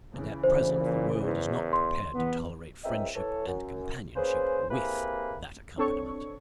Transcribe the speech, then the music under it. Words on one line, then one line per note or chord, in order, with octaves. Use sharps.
And at present the world is not prepared to tolerate friendship and companionship WITH that accompaniment.
C#3 E3
D2 C5
A#2
E2
C6
E2 B3
C#2 C4 A#4 D#5 E5 G5
E3 A4 C#5
F#2
A#3 C#4 G#4 B4 C5
A#3 C4 E4 G4 G#4 B4
C4 D4 A4 C#5 C#6